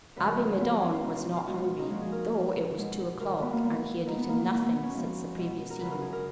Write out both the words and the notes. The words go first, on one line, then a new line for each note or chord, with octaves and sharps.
Abbe Midon was not hungry, though it was two o'clock, and he had eaten nothing since the previous evening.
F#2 C#3 F3 G#3 B4
A#4
A#4
C#4
F#2 F3 G#3 B3
B3
C#4
F4
B2 G#3 D#4
F4
D#4
F4
B2 G#3 F#4
F4
D#4
A#2 F3 G#3 F#4
G#4
A#4
A#2 G#3
B2 G#3
G#2 D#3 G#3 A#4
B3
A#3
A#2 G#3 B3
B2 G#3 D#4
B3
A#3
B3
B2 G#3 A#3
B3
B3
C#4
F#2 F3 G#3
B2 G#3
A#4
F#2 C#3 F#3 B4
A#4
G#4
A#4